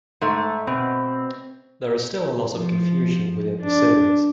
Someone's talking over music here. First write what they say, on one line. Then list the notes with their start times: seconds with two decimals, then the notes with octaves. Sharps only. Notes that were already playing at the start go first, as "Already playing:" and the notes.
There is still a lot of confusion within the series.
0.21 G#2 A3
0.67 B2 C4
2.52 F3
3.62 D4